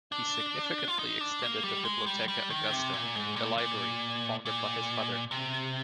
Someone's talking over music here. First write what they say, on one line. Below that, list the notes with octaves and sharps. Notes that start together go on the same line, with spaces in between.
He significantly extended the Bibliotheca Augusta, a library founded by his father.
D4
F4
D#4
D4
A#3
G3
G#3
G3
G3
D#3
C3
A#2
G#2
A#2
A#2
A#2
C3